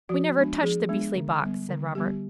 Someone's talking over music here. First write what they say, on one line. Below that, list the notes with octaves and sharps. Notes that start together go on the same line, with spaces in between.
'We never touched the beastly box,' said Robert.
F3 F#4
G#3 B3 D4
F3 G#4
G#3 B3 D4
D3
G3 B3
D3
G3 B3 G4